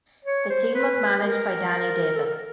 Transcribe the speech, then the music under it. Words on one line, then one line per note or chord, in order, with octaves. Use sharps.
The team was managed by Danny Davis.
C#5
C5
B4
A#4
A4
A#4